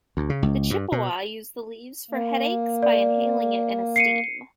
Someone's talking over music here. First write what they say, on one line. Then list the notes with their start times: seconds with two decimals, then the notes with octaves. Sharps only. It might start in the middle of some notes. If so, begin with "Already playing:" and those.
The Chippewa used the leaves for headaches by inhaling it in a steam.
0.17 D2
0.30 C#3
0.43 C#2
0.70 G2
0.92 B2
2.11 A#3
2.83 D5
3.96 C7 C#7 D#7